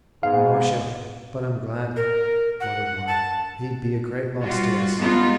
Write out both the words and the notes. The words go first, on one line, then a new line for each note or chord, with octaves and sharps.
"Musha, but I 'm glad," muttered one; "he 'd be a great loss to us."
G#2 B3 F5
A#4
F#5
A5
G3 F4 F#4
G3 G#3 B3 D#4 F4